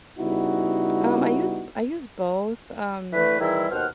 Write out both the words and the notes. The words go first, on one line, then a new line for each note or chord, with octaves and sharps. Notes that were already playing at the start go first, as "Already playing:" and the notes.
Um, I use b I use both, um,
C#3 G3 B3 D#4 E4 F#4
D3 E3 A3 B4
D#3 E3 G3 C4 E4 G#4
D#2 B2 C5 F#5 F6